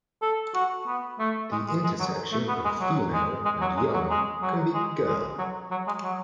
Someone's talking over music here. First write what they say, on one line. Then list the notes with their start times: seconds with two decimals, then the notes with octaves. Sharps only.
The intersection of "female" and "young" can be "girl".
0.22 A4
0.55 F#4
0.87 B3
1.19 A3
1.52 G#3
1.68 G#3
1.84 G#3
1.99 F#3
2.32 A3
2.48 B3
2.65 G#3
2.80 F#3
3.13 G#3
3.45 G#3
3.61 F#3
3.77 G#3
3.93 F#3
4.10 G#3
4.42 F#3
4.74 G#3
5.06 G#3
5.38 F#3
5.71 F#3
5.87 G#3
6.03 F#3